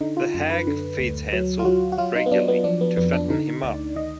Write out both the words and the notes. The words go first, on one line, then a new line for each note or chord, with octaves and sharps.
The hag feeds Hansel regularly to fatten him up.
D3 D#4
F4
F#2
B4
D3
D2
F#3
F4
F#3 F#4
F#4
F#3 F4
D#4
B3
F#3 D4
B3
F3 D4
B3
F2 B3
D4
D3 D#4
D2 D5
D#3 D#5